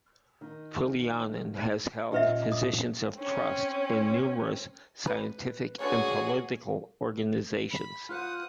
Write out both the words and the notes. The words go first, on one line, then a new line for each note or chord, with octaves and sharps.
Pulliainen has held positions of trust in numerous scientific and political organisations.
D#3
A#2 C#4 F4 G4 B4 D#5 E5 F#5
D#6
C4 C#4
B4
D3 B3 C#4 F#4 G#4 C#5
B5
F4 B4 C5 F#5 D#6